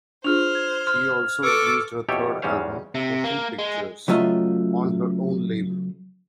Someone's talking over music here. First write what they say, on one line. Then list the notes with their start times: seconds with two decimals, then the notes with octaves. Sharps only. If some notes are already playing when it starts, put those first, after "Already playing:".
She also released her third album "Motion Pictures", on her own label.
0.24 D4 F4 G#4 C5 F6 F7
0.55 G#6 E7
0.87 C6 F6
1.43 A4 B4 C#6 D6 E6
2.09 F2 B2 E4 G4 A4 C#5
2.42 E2 G#2 G3 C#4 C5 F5
2.95 C3
3.24 A#3
3.59 G#3
4.08 C#3 F#3 A3 F4 D#5 E5